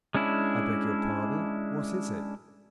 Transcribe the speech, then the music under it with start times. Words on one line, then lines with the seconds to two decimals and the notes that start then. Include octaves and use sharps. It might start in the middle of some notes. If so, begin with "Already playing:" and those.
"I beg your pardon; what is it?"
0.15 G#3 C#4 D4 E4